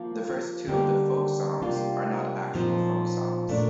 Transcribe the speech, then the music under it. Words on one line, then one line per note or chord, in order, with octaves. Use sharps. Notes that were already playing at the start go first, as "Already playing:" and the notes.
The first two of the "Folk Songs" are not actual folk songs.
Already playing: F3 A#3 F4
D3 G3 A#3 D#4 G4
C3 G3 A#3 D4 F4
A#2 F3 C4 D#4
A#2 A3 D4